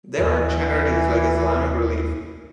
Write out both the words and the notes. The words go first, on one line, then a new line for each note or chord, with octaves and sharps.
There are charities like Islamic Relief.
D#2 E3